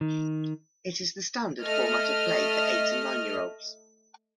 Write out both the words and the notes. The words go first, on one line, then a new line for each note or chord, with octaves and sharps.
It is the standard format of play for eight- and nine-year-olds.
D#3
A3 D#5 F6